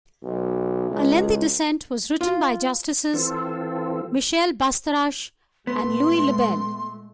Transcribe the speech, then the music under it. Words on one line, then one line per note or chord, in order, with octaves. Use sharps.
A lengthy dissent was written by Justices Michel Bastarache and Louis LeBel.
B1
C#2
F4
E3 C4 F4 A4
A#2 G#3 A3 B3 C6